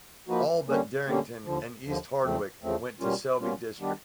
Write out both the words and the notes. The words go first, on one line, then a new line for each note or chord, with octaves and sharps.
All but Darrington and East Hardwick went to Selby district.
F3 A#3 D#4 F#4 B4
D3 G3 A#3 C#4
D3 G3 A#3 C#4
D#2 D3 F3
D#2 D3 F3
E2 C#3 F3 A3 C4
E2 C#3 F3 A3 C4
B2 G3 A#3 C#4 F4
B2 G3 A#3 C#4 F4
D#3 G3 B3 D4 G4